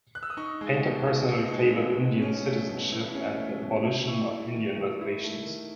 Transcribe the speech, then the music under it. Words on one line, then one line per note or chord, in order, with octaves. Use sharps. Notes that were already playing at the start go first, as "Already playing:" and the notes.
Painter personally favored Indian citizenship and the abolition of Indian reservations.
F#6
E6
D#6
D#4 C#6
G#3
B2
B2
D#4
G#3
B2
B2
C#4
A3
B2
E4
C#4
A3
B2
E4
E4 C#6
A3
D#3
D#3
E4
A3
D#3